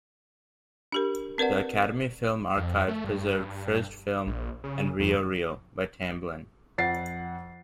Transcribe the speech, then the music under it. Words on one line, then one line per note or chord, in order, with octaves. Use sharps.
The Academy Film Archive preserved "First Film" and "Rio Reel" by Tamblyn.
D4 G4 A#4
C4 A#4 B4 D5 F#5
F2
A3
G2
A#1
C#3
F2
F2 F#5 A6 C7